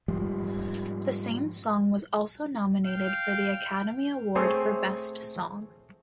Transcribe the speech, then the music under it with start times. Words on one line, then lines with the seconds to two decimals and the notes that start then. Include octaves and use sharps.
The same song was also nominated for the Academy Award for Best Song.
0.08 G#2 F3 G3
2.85 F5 G5
4.35 A3 C4 G#4 C5 C#5